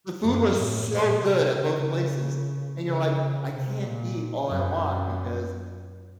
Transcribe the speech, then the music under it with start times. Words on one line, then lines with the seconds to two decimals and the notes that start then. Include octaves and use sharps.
the food was so good at both places, and you're, like, "I can't eat all I want because"
0.23 F#2
0.56 A2
0.88 A#2
1.20 C3
1.54 C#3
2.84 C#3
3.50 C3
3.83 A#2
4.49 F#2